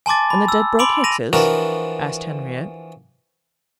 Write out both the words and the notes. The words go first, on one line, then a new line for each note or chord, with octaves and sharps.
"And the Dedbroke-Hickses?" asked Henriette.
G#5 A5 C6 D6 A6
B5
E6
B5 C6 D6 D7 F7 F#7
A#6 D#7 F7
E3 F3 D4 F#4 A#4